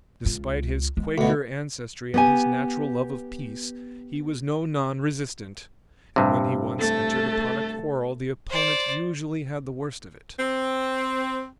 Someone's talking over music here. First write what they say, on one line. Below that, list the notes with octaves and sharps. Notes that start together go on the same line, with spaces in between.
Despite his Quaker ancestry and his natural love of peace, he was no non-resistant, and when he once entered upon a quarrel the opponent usually had the worst of it.
C#2 F4
G#3
D2 B2
B3 G4 G#5
G2 C3
A3 A4
C5 D5
C4